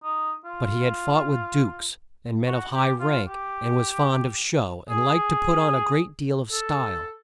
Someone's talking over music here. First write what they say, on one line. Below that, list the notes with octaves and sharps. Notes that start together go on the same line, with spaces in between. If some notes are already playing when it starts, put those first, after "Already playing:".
But he had fought with dukes, and men of high rank, and was fond of show, and liked to put on a great deal of style.
D#4
F4
F#4
G4
F4
G4
G#4
A4